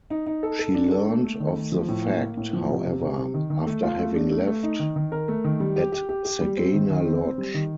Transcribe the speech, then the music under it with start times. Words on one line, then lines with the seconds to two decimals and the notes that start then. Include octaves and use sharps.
She learned of the fact, however, after having left, at Sagana Lodge.
0.10 D#4
0.27 D#4
0.43 A4
0.59 A4
0.75 D4
0.91 A4
1.08 A3
1.24 A3
1.40 D#3
1.56 A3
1.72 F3
1.88 A2
2.04 A#3
2.21 A#3
2.37 A2
2.53 F3
2.69 C3
2.86 C3
3.02 C3
3.18 C3
3.34 D#3
3.50 D#3
3.67 A3
3.83 F4
3.99 A3
4.15 D4
4.31 A3
4.47 A3
4.63 D#4
4.79 D#3
4.96 D#3
5.12 A#4
5.28 A3
5.44 D#3
5.60 G3
5.76 G4
5.92 G4
6.09 G4
6.25 G4
6.41 G3
6.57 C4
6.73 D#3
6.90 D#3
7.06 C4
7.21 C4
7.38 G3
7.54 D#3